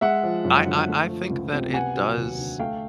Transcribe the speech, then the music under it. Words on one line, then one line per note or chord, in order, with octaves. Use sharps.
I I I think that it does
G#3 E5 F#5
F3
F#2
D3
A3
F3
C#2
C3
B3 F#5 G#5
F#3
D#2
D3
A3 F5 G5